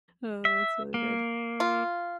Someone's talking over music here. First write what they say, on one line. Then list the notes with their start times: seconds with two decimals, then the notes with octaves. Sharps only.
Oh, that's really good.
0.45 E5
0.94 A#3
1.60 F4